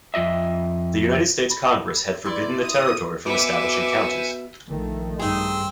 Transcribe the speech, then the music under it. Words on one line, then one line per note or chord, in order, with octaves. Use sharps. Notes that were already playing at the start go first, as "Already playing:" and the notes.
The United States Congress had forbidden the territory from establishing counties.
F2 F4 D#5 E5
B5
E4 B4 D5 C6
D#6
B2 B4 C5 E5 F#5 G#5 D6
A#1 D#3 A3
G2 C4 D#4 G#4